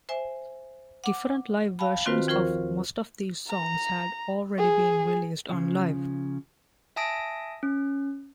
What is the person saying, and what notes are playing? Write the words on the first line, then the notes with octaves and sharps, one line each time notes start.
Different live versions of most of these songs had already been released on Live!
C5 E5 G#5
F#5 D6
F5 G5 A5 B5
D#3 C4 F4 F#4 B4 C5
D#2 F3 F4 A#4 C5 C#6
A#5
G#4
C#3 F3
E5 G#5 A5 D#6 A#6 D7
C#4